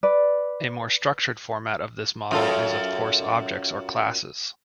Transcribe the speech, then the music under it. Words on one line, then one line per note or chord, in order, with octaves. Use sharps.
A more structured format of this model is of course objects, or classes.
B4 D5
F#2 F4 A4